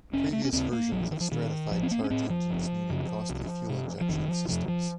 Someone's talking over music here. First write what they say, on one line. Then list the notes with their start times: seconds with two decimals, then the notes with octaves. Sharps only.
Previous versions of stratified charge engines needed costly fuel injection systems.
0.13 F1 C#4
0.33 A3
0.45 C#4
0.52 D#2 C#3 C4
0.72 A#3
0.92 A#1 F#3
1.01 F3
1.11 D#3
1.20 F3
1.31 A#2 D#3
1.71 A1 F3
1.83 C4
1.91 A#3
2.04 C#4
2.10 A2 C4
2.30 F3
2.50 F#1
2.89 F#2 C#3
3.29 C2
3.69 C3
4.01 F3
4.09 F1 D#3
4.28 F3
4.48 F2 C3 F3
4.68 F3